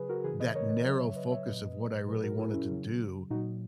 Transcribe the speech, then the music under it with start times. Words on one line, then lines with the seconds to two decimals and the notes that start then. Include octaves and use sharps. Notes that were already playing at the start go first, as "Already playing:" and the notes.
that narrow focus of what I really wanted to do
Already playing: C#3 F#3 G#4 B4
0.09 F#4 A#4
0.24 C#3 E3 G#4 B4
0.40 B4 D#5
0.55 A#4 C#5
0.70 B4 D#5
0.86 F#3 C#5 E5
0.89 C#3
1.01 C#5 E5
1.16 B4 D#5
1.31 C#5 E5
1.46 A#2 F#3 B4 D#5
2.08 A#2 F#3 G#4 B4
2.23 F#4 A#4
2.38 E4 G#4
2.54 C#4 E4
2.69 C#3 F#3
3.30 A#2 F#3 D#4 F#4